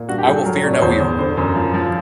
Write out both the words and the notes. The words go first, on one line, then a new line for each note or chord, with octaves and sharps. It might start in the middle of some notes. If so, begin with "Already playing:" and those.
I will fear no evil.
Already playing: A#2
G2 F#4
G4
G2 G#4
A4
F#3 A#4
C#5
A2 D5
C#5
E2 C5
E2
D3 C5
F#2
F3
F3